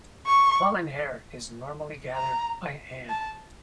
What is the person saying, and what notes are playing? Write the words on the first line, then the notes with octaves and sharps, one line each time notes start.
Fallen hair is normally gathered by hand.
C#6
A#5
A5